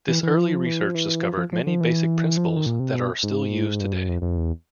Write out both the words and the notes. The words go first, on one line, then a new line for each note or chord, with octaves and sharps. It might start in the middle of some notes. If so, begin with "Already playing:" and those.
This early research discovered many basic principles that are still used today.
E3
E3
F3
E3
F3
E3
F3
F3
F3
F3
E3
F3
E3
D#3
A#2
C3
B2
G#2
G2
F#2
F2
F2
E2